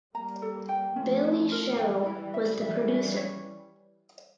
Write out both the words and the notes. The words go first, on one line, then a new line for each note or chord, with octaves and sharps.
Billy Sherrill was the producer.
G3 A#3 A#5
A4
G5
F3 A3 C#4
C#4
A#4
E3 G3 G5
E4
E5
E3 G3 E5
C#4
C#5